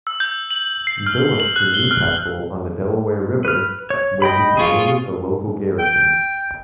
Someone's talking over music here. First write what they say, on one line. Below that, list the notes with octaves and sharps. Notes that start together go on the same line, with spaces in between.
Billopp to New Castle on the Delaware River, where he commanded the local garrison.
E6
G6
F#7
C7
F6
F#7
F#6
G7
F6
B4 F6
C#5
D#5 G5 B5
F4 G#4 C#6
G5